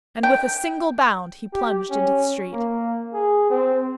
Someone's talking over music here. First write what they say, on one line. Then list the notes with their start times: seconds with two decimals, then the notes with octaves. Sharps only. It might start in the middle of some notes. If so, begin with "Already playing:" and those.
And with a single bound he plunged into the street.
0.23 G5
1.53 G4
1.90 C#4
2.53 A#3
3.13 G#4
3.50 C4